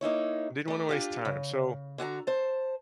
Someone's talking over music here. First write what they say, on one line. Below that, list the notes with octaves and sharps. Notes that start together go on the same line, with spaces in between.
Didn't want to waste time. So
A#3 D#4 E4 C#5
A3 D5
D4 F4 G4
C#3
D3 F#4 G#5 A#5
C5 A5